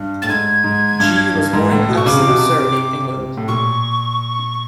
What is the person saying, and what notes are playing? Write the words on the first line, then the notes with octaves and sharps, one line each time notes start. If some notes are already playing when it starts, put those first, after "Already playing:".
G was born in Epsom, Surrey, England.
Already playing: G2
A2 A6
G#2 G#6
G#2
G2
G2
G#2
A2
B2
C#6
C#3 D6
C3
B2
C3
A2
A#2 C#6